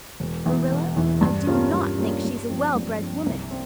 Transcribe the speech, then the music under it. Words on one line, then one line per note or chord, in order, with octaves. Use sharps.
Marilla, I do NOT think she is a well-bred woman.
E1
E2 E3
E1
E2 E3
G2
G3 A#3 C#4 F4
G2
G3 A#3 C#4 F4
G2
F3 C4
G2
F3 C4
C2
C4